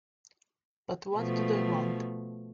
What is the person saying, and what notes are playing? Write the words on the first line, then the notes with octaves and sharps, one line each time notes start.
But what do they want?
B2 F3 A3